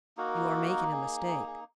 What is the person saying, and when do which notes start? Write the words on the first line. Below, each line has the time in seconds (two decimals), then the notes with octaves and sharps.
"You are making a mistake."
0.17 A#3 D#4 F#4 A#4
0.91 G#4
1.27 G#4
1.47 G#4